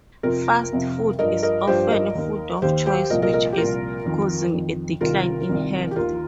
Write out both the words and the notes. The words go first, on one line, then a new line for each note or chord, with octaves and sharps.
Fast food is often food of choice, which is causing a decline in health.
F2 C3 F3 F4 A#4
F2 C3 F3
G2 F3 A#4 D#5
A#4 D#5
G2 F3 G4 C5
A#4 D#5
D#2 D#3
D#2 D#3 G4 C5
G4 C5
C2 A#2 F3 A#4 D#5
A#4 D#5
A#4 D#5
G4
C2 A#2 F3 F4 A#4
F2 D#3
F2 D#3
C2 C3 D#3 F4 A#4
C2 C3 D#3
G4
D#2 D#3 F4 A#4